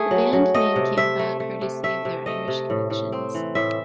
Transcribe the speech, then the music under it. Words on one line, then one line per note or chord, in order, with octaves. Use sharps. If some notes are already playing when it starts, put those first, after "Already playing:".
The band name came about courtesy of their Irish connections.
Already playing: A3 G#4
F#3
F#3
A3 D#5
C3
C3 E5
A3
A3
C3
A3 E5
C3
A3 D#5
C3
A2
A2
C4
E3
A2 E5